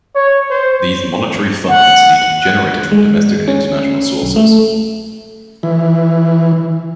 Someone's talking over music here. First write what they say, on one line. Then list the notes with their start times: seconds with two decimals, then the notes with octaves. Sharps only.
These monetary funds need to be generated from domestic and international sources.
0.15 C#5
0.51 C5
1.68 F#5
2.41 F#6
2.92 G#3
3.48 C#4
4.22 B1
4.36 A3
5.63 E3